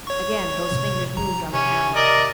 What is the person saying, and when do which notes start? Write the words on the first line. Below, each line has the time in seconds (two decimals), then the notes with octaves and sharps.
Again those fingers moved on the panel.
0.07 C#5 C#6
0.71 A2 C3
1.17 D#3 F3 A#5
1.53 C3 C#4
1.95 A#4 D5 D#5